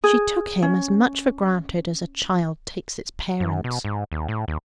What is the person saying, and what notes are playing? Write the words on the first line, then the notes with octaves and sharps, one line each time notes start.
She took him as much for granted as a child takes its parents.
G#4
C#4
F#2
B2
G#2
D#2
A2
D#2